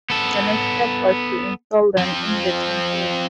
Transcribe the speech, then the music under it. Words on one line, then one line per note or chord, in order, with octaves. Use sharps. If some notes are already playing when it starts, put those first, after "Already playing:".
The next step was to install them in the temple.
B3 A4
F3 C4